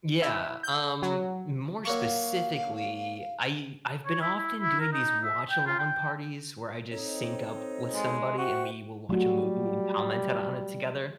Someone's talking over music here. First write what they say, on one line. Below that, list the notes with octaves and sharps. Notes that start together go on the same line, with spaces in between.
Yeah, um, more specifically, I I've been often doing these watch-along parties where I just sync up with somebody, and we will watch a movie and comment it on it together.
E4
G6
F#3
F#3 A#3 F5 C#6
C#5
E4
E4
E4
A#4
D#4
E5
G5
F4
G5
C4 D#4 A4 C#5
G#3
F#4 C5 E5 G5
F#3 G3 A3 F#4